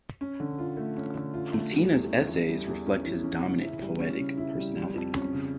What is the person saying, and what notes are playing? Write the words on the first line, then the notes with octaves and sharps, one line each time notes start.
PuTiNa's essays reflect his dominant poetic personality.
C#4
D3
F4
A3
C#4
D3
F4
A3
G3
E2
C#4
E3
G3
E2
C#4
E3
C#4
C#3
E4
G3
C#4
C#3
E4
G3
G3
F2
C#4
C#3